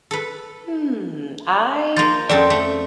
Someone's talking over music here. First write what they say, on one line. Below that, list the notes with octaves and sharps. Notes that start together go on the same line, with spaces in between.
Hmm, I
A4 B4
F3 A#3 C6 A6
F2 C4 C#4 A4 D5
A3